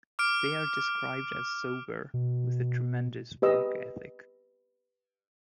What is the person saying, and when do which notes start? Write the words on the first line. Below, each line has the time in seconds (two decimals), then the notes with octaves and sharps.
They are described as "sober" with a tremendous work ethic.
0.19 D6 F6 D7
2.14 B2
3.42 G4 B4 D#5 E6